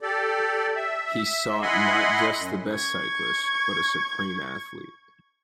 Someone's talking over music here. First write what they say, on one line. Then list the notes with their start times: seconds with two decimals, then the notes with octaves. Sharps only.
He sought not just the best cyclist but a supreme athlete.
0.01 G4 A4 D5
0.76 E5
1.62 E4 D#5 F#5 G#5 B5 C6
2.39 F#2
2.73 C#6 G#6